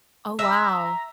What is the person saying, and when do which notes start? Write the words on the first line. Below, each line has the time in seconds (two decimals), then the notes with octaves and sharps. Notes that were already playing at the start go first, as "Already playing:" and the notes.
Oh, wow.
0.39 E5 A#5